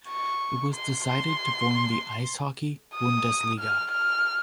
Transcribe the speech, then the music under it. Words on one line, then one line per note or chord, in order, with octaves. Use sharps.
It was decided to form the "Eishockey Bundesliga".
C#6
C6
C6
D#6
F6
F6